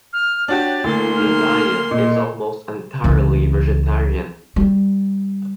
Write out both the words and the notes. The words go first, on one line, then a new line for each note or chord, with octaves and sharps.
The diet is almost entirely vegetarian.
F6
D4 F#4 G4 C#5 A6
D2 A#3 E4 C6
D#4 F6
A#2 D#5
C#2 E3
G3